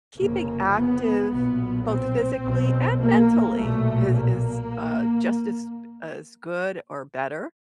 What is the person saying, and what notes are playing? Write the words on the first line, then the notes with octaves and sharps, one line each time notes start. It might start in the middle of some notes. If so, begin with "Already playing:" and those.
keeping active, both physically and mentally is is, uh, just as as good or better,
F1 F2 C#3 A#3
B3
B1 A#2 B3
C4
B1 B2
A#3
B1 A#2 A3
A#3